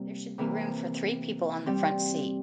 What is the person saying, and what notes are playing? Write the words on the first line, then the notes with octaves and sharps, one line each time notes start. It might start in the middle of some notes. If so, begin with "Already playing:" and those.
There should be room for three people on the front seat.
Already playing: C3 G3 A#3
C3 E3 A#3
G3 C4 G4